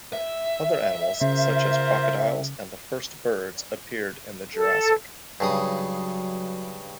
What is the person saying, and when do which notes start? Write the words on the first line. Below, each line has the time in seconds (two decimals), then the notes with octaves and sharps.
Other animals, such as crocodiles and the first birds, appeared in the Jurassic.
0.13 E5
1.21 C#3 F4 A#4 C5
4.56 A4
5.40 G2 C#3 F#3 D#6